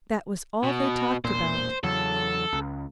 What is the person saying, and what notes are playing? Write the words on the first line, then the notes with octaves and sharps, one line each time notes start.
That was all they talked about.
B2
E1 A#2 C5
E2 C#3 F#3 A4
C#2